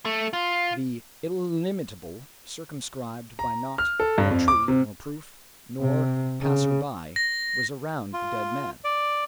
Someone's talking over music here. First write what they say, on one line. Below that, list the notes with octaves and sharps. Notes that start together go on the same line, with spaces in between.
The illimitable, circumscribed by naught, nor tree, nor roof, nor passer-by, was around the dead man.
A3
F4
A#5
F6
A4
G2
F2
D6
C3
C3
C#3
A#6
F4
D5